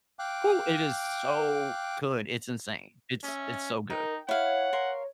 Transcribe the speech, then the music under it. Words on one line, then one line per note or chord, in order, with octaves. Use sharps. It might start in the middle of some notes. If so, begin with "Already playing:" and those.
Hoo, it is so good, it's insane. It's it's so good.
F5 G5 D6 F#6
C#4 D#5 E5
D#4 A#4 G5
E4 C#5 F5 F#5
A#4 F5 C6